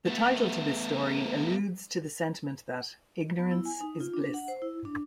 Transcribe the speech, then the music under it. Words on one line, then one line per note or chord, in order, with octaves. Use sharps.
The title to this story alludes to the sentiment that ignorance is bliss.
A3 B3
B3
E4
G#5
D#4
F4
D4
F#5
C5
E4
D4